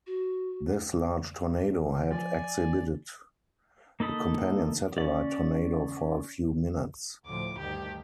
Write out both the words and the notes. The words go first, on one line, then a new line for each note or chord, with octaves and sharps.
This large tornado had exhibited a companion satellite tornado for a few minutes.
F#4
F3 D5 G#5
A#3 D#4 A4 B5 D#6
C#4 D5
D2 A2 F3 D6
D2 G2 D#3 G4